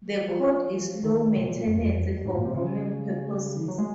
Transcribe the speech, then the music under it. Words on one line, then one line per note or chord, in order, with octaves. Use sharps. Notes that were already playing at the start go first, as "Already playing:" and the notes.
The coat is low maintenance for grooming purposes.
F3
D#3
C3
A#2
A#2
F#2
F2
F#2
G#2
A#2
C3
C#3
F#3
G#3